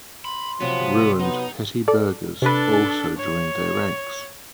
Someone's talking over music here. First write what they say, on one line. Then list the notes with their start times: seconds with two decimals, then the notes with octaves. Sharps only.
Ruined petty burghers also joined their ranks.
0.25 B5 C6
0.60 C3 F3 F#3 B3
1.20 B3 D#4
1.88 A4 D5
2.42 C3 D4 A4 B4
3.17 C#5